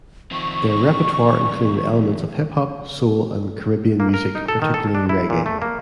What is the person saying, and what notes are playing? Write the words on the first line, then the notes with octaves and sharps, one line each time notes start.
Their repertoire included elements of hip hop, soul and Caribbean music, particularly reggae.
D#3 F3 C4 C#6
A#3
A#4
D#4
A4
D#3
A4
D4
E4
A#2
A3
A#3